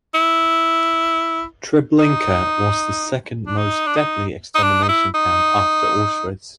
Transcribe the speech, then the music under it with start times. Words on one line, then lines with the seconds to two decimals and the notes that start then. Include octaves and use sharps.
Treblinka was the second most deadly extermination camp after Auschwitz.
0.14 E4
1.99 D#4
3.46 D4
3.57 D#4
3.87 D4
3.96 D#4
4.55 D#4
4.63 D4
4.83 D#4
4.89 E4
5.14 D#4